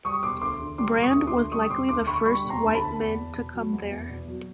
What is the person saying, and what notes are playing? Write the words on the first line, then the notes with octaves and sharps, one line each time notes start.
Brand was likely the first white men to come there.
G3 C#6 D#6
E1 C6 D6
D2 C6 D6
D3
G3 C6 D6
E1
C#6 D#6
D2
C6 D6
D3
G3 C#6 D#6
E1 C6 D6
D2 C6 D6
D3 B5 C#6
G3 B5 C#6
E1
A#5 C6
D2
A5 B5
D3
E2
E2
B2
F#3
E2
E2
B2
F#3